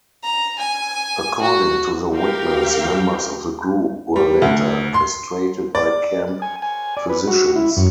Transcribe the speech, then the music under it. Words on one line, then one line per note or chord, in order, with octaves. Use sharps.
According to the witness, members of the group were later castrated by camp physicians.
A#5
G#5
F#4
F#4 G4 A#4 F5 G5
G3
D2
C6
D5
G#5
G#5
D5
B4
F#4
E4
F#2